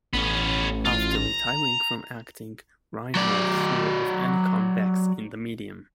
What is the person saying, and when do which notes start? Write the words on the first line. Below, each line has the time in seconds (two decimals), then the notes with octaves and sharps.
After retiring from acting Reinholt swore off any comebacks in the medium.
0.13 A1 B3 C#4
0.85 F4
1.15 A#5
3.15 F#3 D5